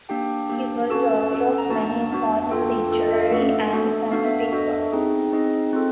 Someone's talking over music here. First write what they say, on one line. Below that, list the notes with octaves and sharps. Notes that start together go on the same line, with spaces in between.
He was the author of many important literary and scientific works.
A#3 D4 G4 G5
A#3 D4 G4
C#4 F#4 A4 A5
C#4 F#4 A4
A#5
B3 D4 F#4 A5
B3 D4 F#4
D4 F4 A4 G5
D4 F4 A4
D#5
E5
F5
A3 D4 F#4 A4 F#5
A3 D4 F#4 A4
B3 D4 F#4 A4 F5
E5
E5
B3 D4 F#4 A4 D#5
C4 D#4 G#4
C4 D#4 G#4 D#5
C4 F4 A4